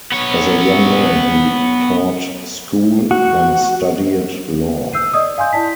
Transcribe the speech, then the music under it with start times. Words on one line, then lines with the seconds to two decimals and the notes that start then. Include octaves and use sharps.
As a young man, he taught school, then studied law.
0.12 B3 C#5
3.11 F#4
4.93 E6 G6 C7 D#7
5.13 D5 D#5 D#6
5.38 F5 G#5 C6 G6
5.53 E4 D5 A5 B6